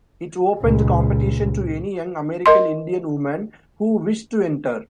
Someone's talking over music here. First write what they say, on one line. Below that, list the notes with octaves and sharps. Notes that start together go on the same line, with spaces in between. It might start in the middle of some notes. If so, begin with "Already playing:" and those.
It opened competition to any young American Indian woman who wished to enter.
C#2 A#2
A#4 D#5 C6